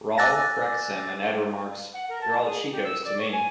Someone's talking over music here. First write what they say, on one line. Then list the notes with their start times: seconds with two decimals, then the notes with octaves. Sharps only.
Raul corrects him and Ed remarks, You're all Chicos to me.
0.18 G#5 D6 E6 F#6 A6 A#6
1.94 F#5
2.09 A#4
2.22 A5
2.44 G#4
2.71 G4
2.84 E6
3.05 D5
3.18 C#5
3.33 G#5